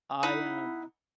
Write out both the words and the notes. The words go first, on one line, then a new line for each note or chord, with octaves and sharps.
I am
D#4 E4 F#5 B5